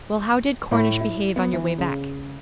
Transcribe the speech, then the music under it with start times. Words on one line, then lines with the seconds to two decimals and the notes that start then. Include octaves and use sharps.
'Well, how did Cornish behave on your way back?'
0.71 A2
1.01 E4
1.36 B3
1.53 E3
1.78 C#3